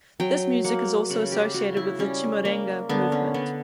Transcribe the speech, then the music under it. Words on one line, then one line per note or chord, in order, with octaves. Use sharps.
This music is also associated with the Chimurenga movement.
F#3 G5
A#3 F#5
C#3 F#5
G4
C#3 F#4
E4
G3 C#4
A#3
D3 B3
C#4
D3 B3